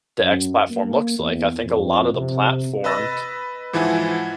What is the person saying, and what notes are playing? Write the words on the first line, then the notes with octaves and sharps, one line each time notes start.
the X platform looks like. I think a lot of the platform
F#2
A#3
E2
F2
C3
B4 D#5 B5 E6 A6 A#6
G#2 E3 F3 E4 F#5 G#5